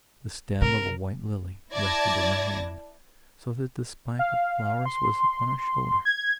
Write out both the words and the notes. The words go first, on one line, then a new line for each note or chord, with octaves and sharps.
The stem of a white lily rested in her hand so that the spike of flowers was upon her shoulder.
C3 A#4
E4 D5 A5 G#6 A#6
F5
C6
G#6